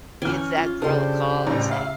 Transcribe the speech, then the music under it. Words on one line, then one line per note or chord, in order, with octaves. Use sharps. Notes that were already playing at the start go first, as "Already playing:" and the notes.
give that girl a call and say,
E3 C#4 G5 G#5 F6
F4
C#3 D4 G4 A4 C5 C6
A1
E5 F5